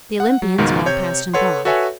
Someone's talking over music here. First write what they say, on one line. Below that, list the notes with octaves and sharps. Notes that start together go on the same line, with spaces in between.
The Olympians are all past and gone.
F#5
F#3
C#2 G#2 B2 D#3
C3 C#5 G6 G#6
A4 B4 C#5 F#5 C6
F#4 A4 B4 C#5 E5 G#5